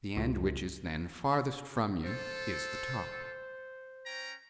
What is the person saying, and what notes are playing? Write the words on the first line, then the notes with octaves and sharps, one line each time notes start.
The end which is then farthest from you is the top.
C#2
F4 A4 C5
C#4 G5 A#5